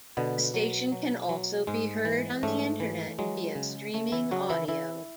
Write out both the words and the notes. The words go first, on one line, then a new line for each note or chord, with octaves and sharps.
The station can also be heard on the Internet via streaming audio.
B2 D3 B3
F#3
F#3
F#3
G#2 G#3
E3
G#2 A3
E3
F#3 G#3
C#3
C#3 A3
E3 E4
C#3 F#3 F#4
E3 E4
E3 E4